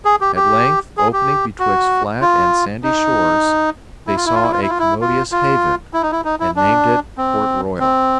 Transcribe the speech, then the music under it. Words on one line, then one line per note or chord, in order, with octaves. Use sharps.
At length, opening betwixt flat and sandy shores, they saw a commodious haven, and named it Port Royal.
G#4
G4
G4
G#4
G4
F#4
F4
D#4
E4
F4
E4
F4
E4
F4
E4
F4
E4
F4
F4
E4
D#4
E4
D#4
E4
D4
C4
C4